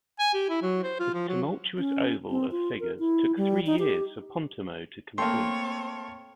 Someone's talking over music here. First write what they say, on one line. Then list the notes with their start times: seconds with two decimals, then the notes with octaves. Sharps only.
This tumultuous oval of figures took three years for Pontormo to complete.
0.20 G#5
0.34 G4
0.49 E4
0.62 F#3
0.83 C5
1.00 F4
1.14 F3
1.28 F#3
1.78 C#4
2.30 C4
2.51 F4
2.80 A#4
2.99 E4
3.37 G3
3.66 D#4
3.79 G4
5.18 A3 A#3 C4 C#5 G5 C6